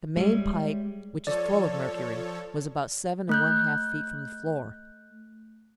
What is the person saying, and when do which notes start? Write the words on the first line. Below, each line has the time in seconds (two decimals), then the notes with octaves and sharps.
The main pipe, which was full of mercury, was about seven and one-half feet from the floor.
0.17 G3 G#3 C#5 E5
1.27 F3 A4 C#5 D5
3.29 A3 F#6 G6